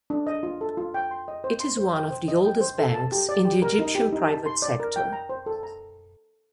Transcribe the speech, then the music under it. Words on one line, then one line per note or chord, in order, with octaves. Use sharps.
It is one of the oldest banks in the Egyptian private sector.
D4
D#5
F4
A4
F4
G5
C6
D#5
C5
C6
C5
G5
C5
D#5
G5
C5
A4
A5
G4
D5
G4
A#4
D#4
G4
D#4
A5
C6
D5
A#4
G5
A#5
C5
A4
A#5